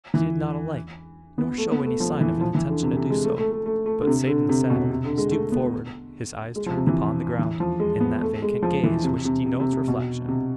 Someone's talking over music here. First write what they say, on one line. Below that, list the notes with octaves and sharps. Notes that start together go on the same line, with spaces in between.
He did not alight, nor show any sign of an intention to do so; but sate in the saddle, stooped forward, his eyes turned upon the ground, in that vacant gaze which denotes reflection.
E3
B3
A3
B3
A3
F3
E3
F3
E3
D3
C3
C3
G#3
A3
A3
A3
A3
A3
D3
C3
D3
C3
B2
C3
D3
G#3
A3
B3
G#3
F3
C3
E3
E3
F3
G#3
B3
A3
G#3
F3
E3
C3
C3
C3
C3
C3
B2
C3